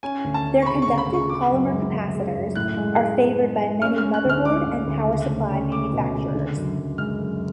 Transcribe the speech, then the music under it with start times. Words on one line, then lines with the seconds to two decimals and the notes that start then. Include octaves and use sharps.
Their conductive polymer capacitors are favored by many motherboard and power supply manufacturers.
0.03 C#4 G#5
0.24 D2
0.34 A5
0.45 C#4
0.62 C#6
0.66 C#3 B5
0.82 C#6
0.87 D2
0.98 B5
1.09 C#3
1.14 C#6
1.29 C#3 D6
1.51 F#2
1.72 G#3
1.93 C#3
2.13 C#3
2.35 F#2
2.55 A2 F#6
2.77 G#3
2.98 G#3
3.19 B3
3.40 G#3
3.61 G#3
3.82 C#4 F6
3.98 F6
4.04 C#4
4.14 F#6
4.24 D2
4.29 F6
4.45 G#3 D6
4.67 D2
4.87 D2
5.08 C#2
5.30 A3
5.51 C#4
5.72 A3 D6
5.93 B2
6.14 C#2
6.35 D3
6.56 F#2
6.77 F#2
6.98 G#3 F6
7.19 F#2